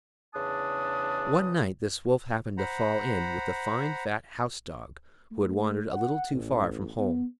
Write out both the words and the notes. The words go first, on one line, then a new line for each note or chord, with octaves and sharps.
One night this Wolf happened to fall in with a fine fat House Dog who had wandered a little too far from home.
E2 C#3 D4 A5 D#6
C5 F#5 A#5 B5
A3
F#5
A1
B3